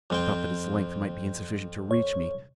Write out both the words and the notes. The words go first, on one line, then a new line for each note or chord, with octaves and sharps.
I thought that its length might be insufficient to reach me.
F2 C4 G5
C#5